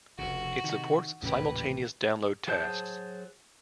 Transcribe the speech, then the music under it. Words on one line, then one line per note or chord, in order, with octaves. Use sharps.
It supports simultaneous download tasks.
F1 D2 C#3 F#4
C3 D#3
A1 D#2 A#2 C#3 C#4 G4 B4
F#3 G#4 C5 A5 G6